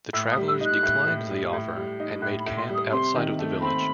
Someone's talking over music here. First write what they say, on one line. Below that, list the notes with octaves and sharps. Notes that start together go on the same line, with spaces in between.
The travelers declined the offer and made camp outside of the village.
A2 E6
D#6
G3
E6
D#4
F#6
A2
A2
G3
A2
G3
D#4
A2 F#6
B5
A2
C6
G3
D#6
C3 C6
D#3
A3
C4 B5